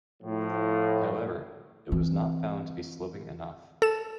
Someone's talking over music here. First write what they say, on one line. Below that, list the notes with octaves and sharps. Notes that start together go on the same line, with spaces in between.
However, it was not found to be sloping enough.
A2 F3
E3 C4
A4 E7